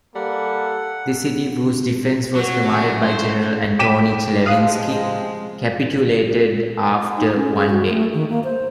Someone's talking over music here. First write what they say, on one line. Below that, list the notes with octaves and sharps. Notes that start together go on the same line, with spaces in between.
The city, whose defense was commanded by General Antoni Chlewinski, capitulated after one day.
G3 A#3 A4 F#5
F#3 F#4
C#3 A3
C5
G5 D6 B6 D#7 E7
C3 F3 G#3 F5 D#6 F#6
D#4
C#4
G#4
F#4
A3
D#3
A#3
C5